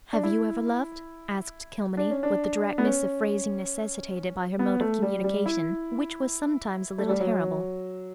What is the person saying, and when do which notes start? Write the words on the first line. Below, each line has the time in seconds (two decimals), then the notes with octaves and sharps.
"Have you ever loved?" asked Kilmeny, with the directness of phrasing necessitated by her mode of communication which was sometimes a little terrible.
0.13 D4
0.23 E4
1.97 D4
2.11 C#4
2.23 D4
2.78 B3
2.84 C#4
4.59 B3
4.81 A3
5.02 G3
5.24 G3
5.46 E4
6.98 A3
7.09 G3
7.20 F#3